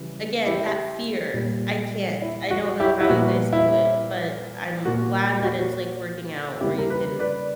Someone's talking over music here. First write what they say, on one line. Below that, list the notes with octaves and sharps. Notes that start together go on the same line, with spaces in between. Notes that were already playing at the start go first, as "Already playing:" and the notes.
again, that fear, I can't. I don't know how you guys do it, but I'm glad that it's, like, working out where you can
Already playing: C#3 E3 G3
E4 G4
A#2 G3 A#3
E4
F#4
E4 G4
E4
A#2 G3 B3 F#4
E4
A#2 A#3 F#4
G4
F#4
C#3 G3 A#3 E4 G4
A#4
G4 B4
B4 D5